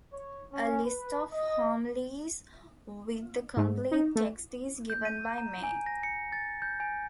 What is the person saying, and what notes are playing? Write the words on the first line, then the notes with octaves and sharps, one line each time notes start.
A list of homilies with the complete text is given by Mai.
C#5
C#4
B4
D#5
G#2
D#4
A3
G6
D#7
A#5
G#5
A#6
C#7
A6
G6
G#5